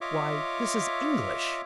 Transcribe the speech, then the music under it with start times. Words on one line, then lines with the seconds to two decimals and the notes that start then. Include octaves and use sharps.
"Why, this is English!"
0.01 F4 C#5 D#5 E5 D6